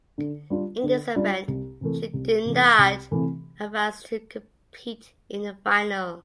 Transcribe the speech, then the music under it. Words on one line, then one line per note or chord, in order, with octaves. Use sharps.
In this event she did not advance to compete in the final.
D3
G3 D4 F4
D3
G3 D4 F4
C2
C3 E3 A3
C2
C3 E3 A3
C2
C3 E3 A3